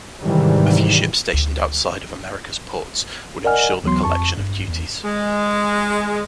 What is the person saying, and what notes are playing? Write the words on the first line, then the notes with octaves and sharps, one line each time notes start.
A few ships stationed outside of Americas ports would ensure the collection of duties.
G#2 C3 D#3 E3 G3
D2
A#4 D5 D#5 F#5 G#5 F6
D2 E3 F#3 B3 C6
F2 A5 C#6
A1 G2
E2
G#3